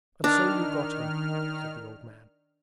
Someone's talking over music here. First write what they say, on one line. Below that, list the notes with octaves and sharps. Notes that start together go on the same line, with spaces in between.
'And so you got him!' said the old man.
D#3 D4 F6